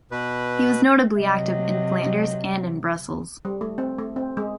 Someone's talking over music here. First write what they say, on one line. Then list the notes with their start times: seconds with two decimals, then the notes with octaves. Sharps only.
He was notably active in Flanders and in Brussels.
0.11 B2 B4
1.18 C3 F#3 D#5
3.45 G3
3.61 A3
3.78 C4
3.99 A3
4.16 C4
4.37 G#3